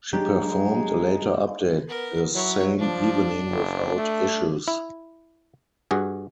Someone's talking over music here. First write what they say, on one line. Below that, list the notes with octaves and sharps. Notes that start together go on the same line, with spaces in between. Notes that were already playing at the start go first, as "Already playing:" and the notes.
She performed a later update the same evening without issues.
F#3 G#3 D4 G4 A#5
B3 A#4
F#3 E4 C#5
F3 D4
F#1
A3
E4
G2 F#4 G#4